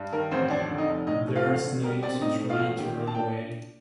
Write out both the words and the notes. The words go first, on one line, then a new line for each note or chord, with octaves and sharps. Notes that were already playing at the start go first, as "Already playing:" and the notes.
There’s no use in trying to run away.
Already playing: G2
D#3 A#4
A1 C4 C5
F2 D4 D5
D3
D#4 D#5
F1
A2 D#4 D#5
A3
F4 F5
A1
D3
G3 A#4
C4 D4 D5
A2 D#4 D#5
A3
F4 F5
A1
D#3 G4 G5
A#3
A5
D4 G5